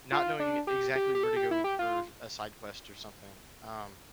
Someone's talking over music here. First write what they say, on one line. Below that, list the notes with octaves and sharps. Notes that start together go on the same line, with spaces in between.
not knowing exactly where to go for a side quest or something, um,
F4
D4
G4
G4
G4
A4
G4
E4
G4
F4